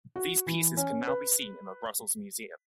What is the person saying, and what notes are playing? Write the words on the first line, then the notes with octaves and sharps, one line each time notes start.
These pieces can now be seen in the Brussels museum.
F#4
E3
C#4
B4